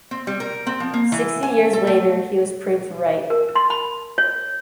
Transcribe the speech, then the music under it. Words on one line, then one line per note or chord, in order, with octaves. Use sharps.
Sixty years later he was proved right.
C4
G3
A#4
C4
F3
A#3
E3
G#5
A4
A3
A#4
C6
B5
C#5